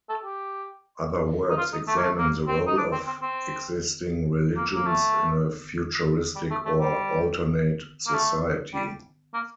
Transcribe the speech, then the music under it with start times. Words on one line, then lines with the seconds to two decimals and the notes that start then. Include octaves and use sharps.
Other works examine the role of existing religions in a futuristic or alternate society.
0.09 A4
0.24 G4
1.50 D#4
1.58 F4
1.73 D#4
1.87 A3
1.96 A#3
2.03 A3
2.18 A#3
2.47 C4
2.67 D#4
2.77 D4
2.92 C4
3.07 C4
3.22 C4
4.56 A#3
4.75 A#3
4.86 A3
6.35 G3
6.50 A3
6.65 A3
6.80 G3
8.07 A#3
8.14 A3
8.74 G3
9.34 A#3